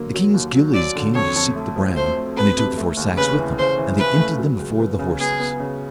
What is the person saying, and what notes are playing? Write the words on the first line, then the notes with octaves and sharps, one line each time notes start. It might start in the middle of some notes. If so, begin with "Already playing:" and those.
The king's gillies came to seek the bran, and they took the four sacks with them, and they emptied them before the horses.
Already playing: D3 F#3 A#3
F#3
D#2
F#3
F#3 D5
D3
F2 C#5
F2
A3
F3
A3 C5
A3
F2 B4
C3
A3
D#2
C#3 B4
E3
C#3 C5
E3
E3 B4
A3
F#3
C#2
B3
C#3
B3 G#4
B3
C#3